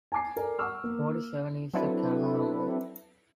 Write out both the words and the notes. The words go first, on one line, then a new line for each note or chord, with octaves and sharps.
Forty-seven is a Carol number.
G#5 A5 D6 C7
A4 A#4 D5 G#5
F#5 A5 C#6 D6 E6 F6
A#3
F#3 C4 D4 E4 A4 B4